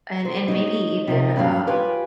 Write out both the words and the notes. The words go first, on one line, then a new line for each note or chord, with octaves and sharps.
And and maybe even, um,
C5
D#4 C#5
C3 D#4 G4 A#4
G2 D#3 F#3 C#4 F5
F4 G4 B4 C#5 G5 G#5